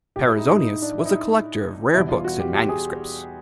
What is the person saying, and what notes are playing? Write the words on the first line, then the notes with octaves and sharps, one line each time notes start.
Perizonius was a collector of rare books and manuscripts.
A2 F#3 G4
E4
D#4
D#4
D#4
D4
E4
D#4
E2 B2 G3 E4
F4
F#4
G4
G4
G#4